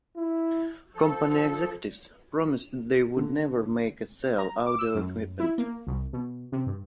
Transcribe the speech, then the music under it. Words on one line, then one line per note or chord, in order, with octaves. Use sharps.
Company executives promised they would never make or sell audio equipment.
E4
F3 A4
D3
A#5
D6
E6
F#2
E4
A#3
C2
B2
C3
G2